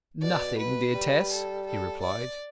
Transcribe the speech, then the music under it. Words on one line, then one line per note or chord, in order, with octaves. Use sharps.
"Nothing, dear Tess," he replied.
B2 D5
B4
G3
A4
A4
D5